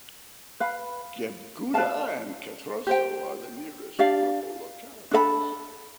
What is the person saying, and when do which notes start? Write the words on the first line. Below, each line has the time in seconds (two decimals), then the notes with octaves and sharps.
Gebguda and Katroso are the nearest rural localities.
0.60 B4 F5 B5
1.74 B4 D5 F5 A5
2.87 G4 C5 G5
3.99 D4 G4 D5 F5
5.11 D4 A4 E5 B5